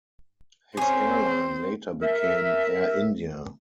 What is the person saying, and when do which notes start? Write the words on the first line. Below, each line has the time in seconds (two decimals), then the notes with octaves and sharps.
His airline later became Air India.
0.77 C4 C#4 G#4 C5
2.02 A#4 E5